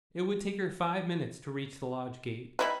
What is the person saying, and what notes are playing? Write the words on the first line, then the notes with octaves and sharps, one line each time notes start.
It would take her five minutes to reach the lodge gate.
G3 D#4 E4 B4 E5 B5